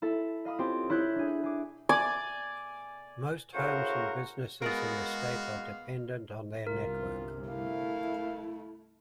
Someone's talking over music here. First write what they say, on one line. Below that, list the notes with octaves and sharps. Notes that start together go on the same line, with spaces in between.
Most homes and businesses in the state are dependent on their network.
E4 A4 E5
D#5 F5 B5 D#6
C4 C#4 F4 G4
E4 C#5 F#6 G6
D4 G#4
G#4 D6
D5 G#5 D6
A2 C#3 F#4 A#4 C5 C#6
G#3 B3 F#4 G#4 A#4 F5
G1 C2 C3 F4 A#4
A3 E4 F5